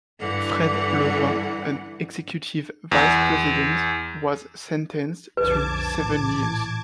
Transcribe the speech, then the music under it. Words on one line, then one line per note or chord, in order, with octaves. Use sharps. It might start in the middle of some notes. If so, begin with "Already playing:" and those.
Fred Levin, an executive vice president, was sentenced to seven years.
G2 D3 E3 F#5
E2
B1 F2 D3 B4 A5 D6 G#6
A1 A#2 E3